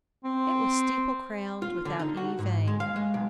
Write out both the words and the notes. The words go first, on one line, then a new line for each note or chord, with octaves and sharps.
It was steeple-crowned, without any vane.
C4
F4
D3
D#4
F#4
G#2
G#3
F5
G#3
B1